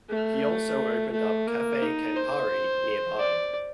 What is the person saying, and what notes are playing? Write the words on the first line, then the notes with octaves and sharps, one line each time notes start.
He also opened up Cafe Campari nearby.
A3
A3
A#3
D#4
C5
D5